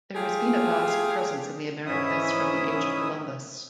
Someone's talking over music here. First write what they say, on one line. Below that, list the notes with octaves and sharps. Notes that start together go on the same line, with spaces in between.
There has been a Basque presence in the Americas from the age of Columbus.
A3 F4 G4 G#4
G#2 E3 C#4 E4 E5 D#6